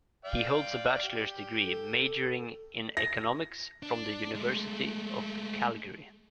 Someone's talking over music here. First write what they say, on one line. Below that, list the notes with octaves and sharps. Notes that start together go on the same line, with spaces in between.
He holds a bachelor's degree, majoring in economics, from the University of Calgary.
D5 F5 G5
G4
A4
A#6
D4
G#3 A3